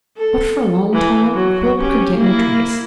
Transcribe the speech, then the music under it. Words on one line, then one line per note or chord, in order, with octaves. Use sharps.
But for a long time Quilp could get no trace.
A4
E3
F#3
C#4 G4
A#3 E4